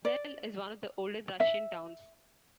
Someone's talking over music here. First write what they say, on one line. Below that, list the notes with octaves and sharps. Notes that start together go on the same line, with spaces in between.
Suzdal is one of the oldest Russian towns.
D5
E5